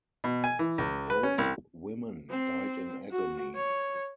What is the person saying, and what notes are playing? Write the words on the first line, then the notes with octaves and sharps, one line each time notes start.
Both women died in agony.
B2
G#5
E3
C#2
B4
C#4
C2
C4
F#4
C#5